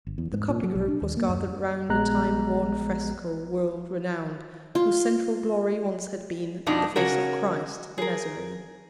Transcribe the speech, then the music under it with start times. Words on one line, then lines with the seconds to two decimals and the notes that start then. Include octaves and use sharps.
The copyist group was gathered round A time-worn fresco, world-renowned, Whose central glory once had been The face of Christ, the Nazarene.
0.07 G1
0.18 E2
0.32 G#2
0.49 A#2
0.63 F#3
0.75 B1
0.88 D4
1.02 D#2
1.17 A#3
1.29 F#2
1.89 A#1 F3 G#3 B3 A#5 F#6
4.75 F4
6.67 F2 B2 D4 D#4
6.96 C#3 C#4 F#4 A#4
7.98 G#4 A#4